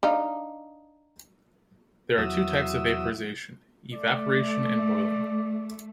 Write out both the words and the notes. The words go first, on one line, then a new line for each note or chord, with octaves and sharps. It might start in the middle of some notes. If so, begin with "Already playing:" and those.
There are two types of vaporization: evaporation and boiling.
D4 D#4 F5
E2 F#3 F#4 E5 D#6 E6
A3 D5